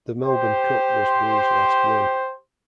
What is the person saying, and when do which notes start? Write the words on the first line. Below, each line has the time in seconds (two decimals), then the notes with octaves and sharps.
The Melbourne Cup was Brew's last win.
0.24 G4 C5